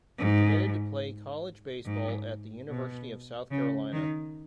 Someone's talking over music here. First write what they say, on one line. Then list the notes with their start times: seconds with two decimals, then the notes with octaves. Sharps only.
He committed to play college baseball at the University of South Carolina.
0.18 G#2
1.84 G#2
2.68 B2
3.50 C#3
3.92 D#3